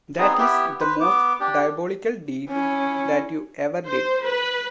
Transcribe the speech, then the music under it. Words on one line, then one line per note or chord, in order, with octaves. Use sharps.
That is the most diabolical deed that ever you did.
B3 C4 D#4 G#4
B3 E4 G4
B4 C5
B3 D6
D4 G4
C#4 E4
C5
B4